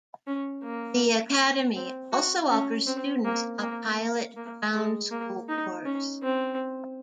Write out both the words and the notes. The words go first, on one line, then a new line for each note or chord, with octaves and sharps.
The academy also offers students a Pilot Ground School course.
C#4
A#3
C4
F#4
C#4
C4
A#3
A#3
A#3
G#3
A#3
D#4
C#4
C4